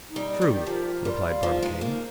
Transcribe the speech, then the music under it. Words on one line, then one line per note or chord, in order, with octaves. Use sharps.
"True," replied Barbicane.
D#4
G3
D5
D#3
G4
F3 A#4
A#4
G3 C6
F5
F3 D#4
G#3 D#4
A#3 C5